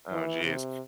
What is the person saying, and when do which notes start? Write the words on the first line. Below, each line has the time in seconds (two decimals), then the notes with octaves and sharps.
Oh, jeez.
0.11 E3
0.45 C3